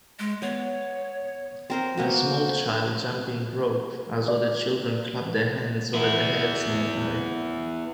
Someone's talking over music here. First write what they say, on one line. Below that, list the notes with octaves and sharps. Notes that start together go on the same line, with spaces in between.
A small child jumping rope as other children clap their hands over their heads nearby.
G#3
B3 C#5
C4 A#4 C5
A#3 B3 F#4 C5
D5
B3 E4